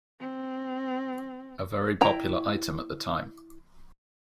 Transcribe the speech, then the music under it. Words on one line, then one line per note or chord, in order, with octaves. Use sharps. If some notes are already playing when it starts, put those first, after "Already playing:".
A very popular item at the time.
C4
E4 G5 A#5